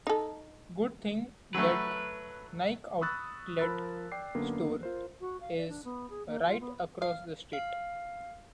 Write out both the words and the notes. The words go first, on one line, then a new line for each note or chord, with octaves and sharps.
Good thing that Nike Outlet Store is right across the street.
D#4 A4
F#3 A3 B4
B5 C#6 D#6 E6 F#6 A6
F3 A#4 B5 E6 F#6 A6
D5 G5 D6 C7
F#2 D3 A#3 B3
F4 A#4 C5
F#4
F5
D5
D4
B3
G#4
A#3
F4
B3
F5
F5